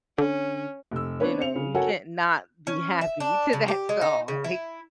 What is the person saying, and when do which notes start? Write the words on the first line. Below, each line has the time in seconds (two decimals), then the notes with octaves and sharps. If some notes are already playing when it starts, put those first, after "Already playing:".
you know, you can't not be happy to that song, like,
0.18 D3 C#4
0.91 F1 E6
1.20 B3 C4 D4 B4 C#5
1.39 C4 C#7 F7
1.56 C#3
1.75 F#4 A4 A#4 C#5 F#5 G#5
2.67 C#4
3.01 E5
3.20 D4
3.53 C#3
3.68 G4
3.89 G#3
4.01 D#4
4.28 C#3
4.44 E4